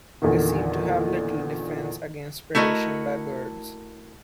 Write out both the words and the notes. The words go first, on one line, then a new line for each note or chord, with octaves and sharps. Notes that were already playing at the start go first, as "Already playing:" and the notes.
They seem to have little defence against predation by birds.
E2 A#2 D3 D#3
A3 E4 F#4 A#4 D#5